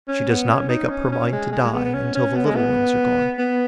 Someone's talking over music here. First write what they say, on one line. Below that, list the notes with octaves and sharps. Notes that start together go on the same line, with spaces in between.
She does not make up her mind to die until the little ones are gone.
C#4
B3
C#4
D#4
C#4
C#4
G#3
G#3
G#3
B3
B3
C#4
C#4
B3
G#3
B3
B3